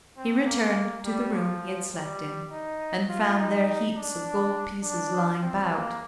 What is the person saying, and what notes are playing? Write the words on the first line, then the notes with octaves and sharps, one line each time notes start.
He returned to the room he had slept in, and found there heaps of gold pieces lying about.
C4
A#3
G3
F3
G3
D#4
F4
D#4
D4
D4
C4
A#3